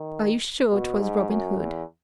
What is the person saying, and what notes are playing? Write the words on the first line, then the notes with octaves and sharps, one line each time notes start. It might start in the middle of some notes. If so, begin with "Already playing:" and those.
"Are you sure 'twas Robin Hood?"
Already playing: D#3
B2
G#2
F#2
E2